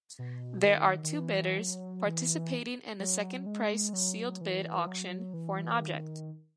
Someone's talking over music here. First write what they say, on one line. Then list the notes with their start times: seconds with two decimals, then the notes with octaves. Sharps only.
There are two bidders participating in a second-price sealed-bid auction for an object.
0.19 B2
0.65 D#3
1.03 D#3
1.13 E3
1.59 F#3
2.06 E3
3.00 F#3
3.46 G#3
3.93 F#3
4.41 E3
4.87 F#3
5.34 E3
5.81 D#3